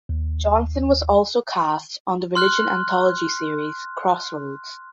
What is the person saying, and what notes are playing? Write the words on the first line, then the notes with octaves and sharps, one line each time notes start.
Johnson was also cast on the religion anthology series "Crossroads".
D#2
C6 F6 F#6